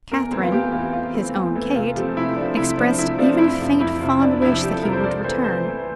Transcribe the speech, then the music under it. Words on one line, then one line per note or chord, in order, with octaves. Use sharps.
Katherine, 'his own Kate,' expressed even a faint fond wish that he would return.
E2 A#4
E3 A3 C4
F4
E2 G4
E3 A3 C4 F4
E2 F4
E3 A3 C4
E2
E3 A3 C4
C3 F4
F3 A3 C4 G4
C3 E4
F3 A3 C4 D4
C3 E4
F3 A3 C4 D4
C3 E4
F3 A3 C4 D4
F2 E4
C3 F3
F2 E4
C3 F3
F2 D4
C3 F3 E4
F2 G4
A4
C3 F3 A#4
C5
C3 D5
E3 A3 C5
C3 C5
E3 A3